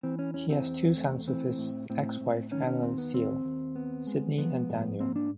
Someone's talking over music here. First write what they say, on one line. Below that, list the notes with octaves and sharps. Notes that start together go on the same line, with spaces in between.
He has two sons with his ex-wife, Annalynn Seal; Sidney and Daniel.
E3 C4
C#4
E2 C#4
C4
E2
A3
E3 C4
A2
A2 C4
A2
D#3 C#4
C#4
D#2 C4
B3
D#2 C4
D#2
B3
G#3
F3 B3
G#2
A#3 C4
D4